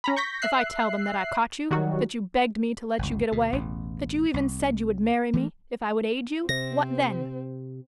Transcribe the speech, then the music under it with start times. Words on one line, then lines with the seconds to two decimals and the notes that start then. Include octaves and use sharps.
If I tell them that I caught you, that you begged me to let you get away--that you even said you would marry me, if I would aid you, what then?
0.04 C#4 A#5 B5
0.16 C#6 G6 A#6 B6
0.42 E5 F#6 C7
1.71 D#3 F#3 G3 F#4
2.99 G1 C#2
3.32 D2 B2
3.53 A1 E2 B2
4.34 C2
5.33 E3 A3 A#3
6.49 C3 C4 A#6